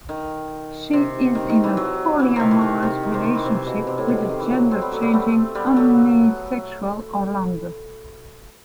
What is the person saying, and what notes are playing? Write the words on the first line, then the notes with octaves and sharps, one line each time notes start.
She is in a polyamorous relationship with the gender-changing omnisexual Orlando.
D#3
C3
D#3
D#3
E3
F#3
E3
C3 D#3
E3
D#3
C3
D#3
C3
D#3
E3
C3
B2
C3
A2
B2
C3
D#3
E3
F#3
C4
G3 B3
F#3 A3
G3 B3
A3 C4
G3 B3
F#3 A3